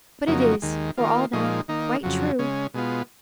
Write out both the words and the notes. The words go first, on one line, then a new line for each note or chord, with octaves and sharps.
But it is, for all that, quite true.
F2 C#3 F#3 A#3 D#4
D#2 D#3 G#3
D#3 A#3 F4
A#2 F3 G#3 D#4
D#3 A#3 D#4
F2 C#3 F#3
C#3 G#3 C#4
B2 G#3 B3 F4